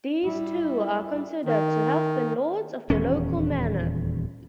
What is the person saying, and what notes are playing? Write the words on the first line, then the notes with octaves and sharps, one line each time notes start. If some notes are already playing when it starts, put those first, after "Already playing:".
These two are considered to have been lords of the local manor.
G3 E4
D#3
D#1 E2 C#4